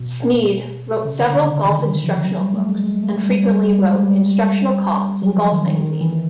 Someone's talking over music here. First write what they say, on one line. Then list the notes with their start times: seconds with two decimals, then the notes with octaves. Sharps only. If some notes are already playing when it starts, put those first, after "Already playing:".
Snead wrote several golf instructional books, and frequently wrote instructional columns in golf magazines.
Already playing: B2
1.05 C#3
1.20 D3
1.35 D3
1.50 C#3
1.64 D#3
1.84 D#3
2.04 F3
2.24 F#3
2.39 G3
2.54 A3
2.69 G#3
2.84 G#3
3.03 A3
3.23 G3
3.43 G3
3.63 G3
3.83 G#3
4.03 G3
5.22 F#3
5.37 F3
5.52 D#3
5.67 D#3
5.81 D#3
6.01 E3